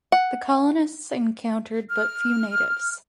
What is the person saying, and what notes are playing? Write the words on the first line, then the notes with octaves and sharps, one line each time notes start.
The colonists encountered but few natives.
F#5
F6